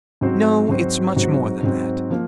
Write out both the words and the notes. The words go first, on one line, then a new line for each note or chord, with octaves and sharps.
No, it's much more than that.
G#2 F#3 C4 F#4 C5
G#2 F#3 C4 F#4 C5
G#2 F#3 C4 F#4 C5
G#2 F#3 C4 F#4 C5
F3 A#3